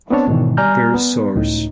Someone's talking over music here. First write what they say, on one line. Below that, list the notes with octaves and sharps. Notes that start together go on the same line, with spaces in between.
Per source.
B3 C4 D4 C#5 A5
G#2 B2 D#3 E3
G3 D5 G#5 A#5 F6 G6
B3
C#2 A2 D#4